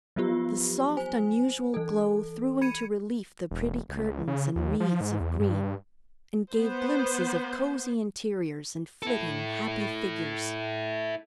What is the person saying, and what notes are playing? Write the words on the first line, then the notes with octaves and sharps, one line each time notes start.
The soft, unusual glow threw into relief the pretty curtains and wreaths of green, and gave glimpses of cosy interiors and flitting happy figures.
F3 F#3 B3 F4 G4
C5 G#5
E3 A4
B5 G#6 C#7 D#7
E1
C#2
C#3
D#2
F3
G#2
E2
G2
B3 C5
E4 A4